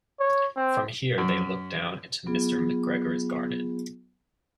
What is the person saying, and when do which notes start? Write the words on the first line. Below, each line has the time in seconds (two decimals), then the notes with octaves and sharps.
From here they looked down into Mr McGregor's garden.
0.20 C#5
0.56 C4
1.18 F#2
2.26 F#3 B3 F4 G#4